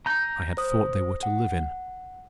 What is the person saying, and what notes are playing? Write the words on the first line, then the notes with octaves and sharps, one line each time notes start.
I had thought they were to live in.
A#5 G6
C5 D#6
F#5